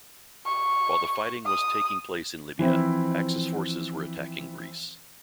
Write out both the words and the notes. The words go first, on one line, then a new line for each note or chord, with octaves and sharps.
While the fighting was taking place in Libya, Axis forces were attacking Greece.
C#6
D#6
E3 F3 C4 E4